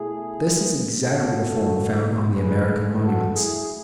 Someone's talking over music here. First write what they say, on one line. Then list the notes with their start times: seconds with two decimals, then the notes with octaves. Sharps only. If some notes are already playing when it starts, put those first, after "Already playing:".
This is exactly the form found on the American monuments.
Already playing: B2 A3 E4 G#4
1.04 D3 A3 F#4 A4
2.36 D3 A3 G#4 B4
3.01 F#4 A4
3.34 E4 G#4